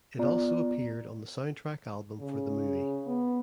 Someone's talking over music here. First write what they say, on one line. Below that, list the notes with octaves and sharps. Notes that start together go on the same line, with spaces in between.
It also appeared on the soundtrack album for the movie.
B3 F4 D5 A#5
C#3
B3